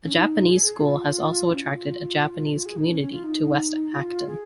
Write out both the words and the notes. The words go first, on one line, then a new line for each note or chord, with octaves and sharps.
A Japanese school has also attracted a Japanese community to West Acton.
C#4
D#4
G#4
F4
C#4
F4
F4
F4
G#4
D#4
C#4
C#4
F4
D#4
F4
G#4